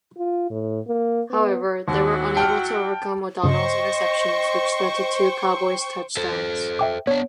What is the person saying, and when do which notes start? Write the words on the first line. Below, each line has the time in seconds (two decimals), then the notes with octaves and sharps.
However, they were unable to overcome O'Donnell's interceptions, which led to two Cowboys touchdowns.
0.17 F4
0.50 A2
0.87 A#3
1.30 B3
1.88 D#2 F#3 E4 F#4
2.37 G5 A5 F6
3.43 G2 C#3 C5 D#5 G5 C#6
6.17 A4 C5
6.79 E5 G5 D6
7.07 B3 D4 C#5